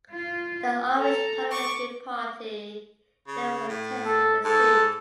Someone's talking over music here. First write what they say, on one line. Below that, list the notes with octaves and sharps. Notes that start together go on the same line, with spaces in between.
The Irish Parliamentary Party never contested the seat.
F4
A4 A#5
C#6 D6
C#3
A2
A4
G#2 A4